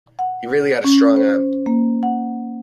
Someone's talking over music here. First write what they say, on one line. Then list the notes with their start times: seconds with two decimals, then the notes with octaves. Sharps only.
He really had a strong arm.
0.19 F#5
0.84 C#4
1.16 C5
1.66 A#3
2.03 F#5